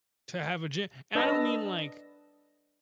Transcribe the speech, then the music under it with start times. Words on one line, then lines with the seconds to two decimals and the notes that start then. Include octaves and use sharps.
to have a ge and I don't mean like
1.15 D4 B4 D5 D#5 A5 E6